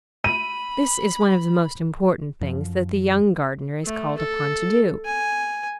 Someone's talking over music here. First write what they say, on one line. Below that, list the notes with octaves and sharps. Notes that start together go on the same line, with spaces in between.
This is one of the most important things that the young gardener is called upon to do.
B5 D#7
F#2 F3
A3
A4
G#5